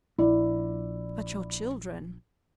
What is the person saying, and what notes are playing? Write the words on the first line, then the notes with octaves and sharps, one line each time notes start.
"But your children?"
A#1 E4 D5